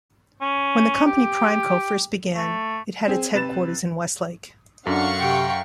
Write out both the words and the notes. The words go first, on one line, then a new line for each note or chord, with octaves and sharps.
When the company PrimeCo first began, it had its headquarters in Westlake.
C#4
G4
A3
C4 G#4
C3 B4 A6 E7
F#2 D4 A4 F5 F#5 C#6
C3 G5